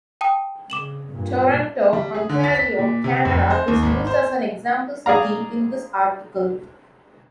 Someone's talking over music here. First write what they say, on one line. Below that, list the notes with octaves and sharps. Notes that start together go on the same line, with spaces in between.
Toronto, Ontario, Canada is used as an example city in this article.
G5 A5 D#6
C#3 D6 E7 F#7
G2 A#2
G3
G#4
D3
A6
B6
A#2
C3
F1
C5
D#2
G#1
C5
G#4 D5 F5 A#5